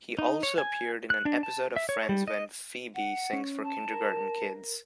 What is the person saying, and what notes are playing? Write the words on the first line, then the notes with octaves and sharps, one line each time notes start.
He also appeared in an episode of Friends when Phoebe sings for kindergarten kids.
D#4
C#5
G#5
F#6
D4
A5
E5
C#5
G3
D#5
F#5
C#4
A5
A#4